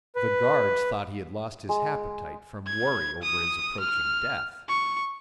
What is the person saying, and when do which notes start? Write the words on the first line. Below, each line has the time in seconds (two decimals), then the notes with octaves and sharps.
The guards thought he had lost his appetite from worry over his approaching death.
0.15 B4
1.69 G#3
2.67 G#6
3.23 D#6
3.80 F6
4.68 C#6